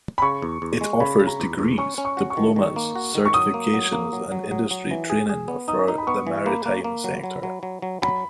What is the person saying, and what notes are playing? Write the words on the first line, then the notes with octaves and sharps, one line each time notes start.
It offers degrees, diplomas, certifications and industry training for the maritime sector.
B5
C#3 C#6
E2
E2
G#3
C#3 B5
C#3
A#5
E2
E2
C#4 C#6
C#4
C#6
F#4
C#6
D#3
D#3
A#3
F#4
D#3
C#6
F#3 D#6
A#3
F#3
A#3
F#3
F#3
F#3
F#3
E3
G#4
G#4
B3
D#4 D#6
D#4
B5
B3 C#6
E3
A#3 B5
A#3
A#3
F#3
F#3
F#3
F#3
F#3
F#3 B5